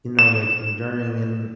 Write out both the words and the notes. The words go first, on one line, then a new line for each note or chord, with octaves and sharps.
you know, like, enduring and
E7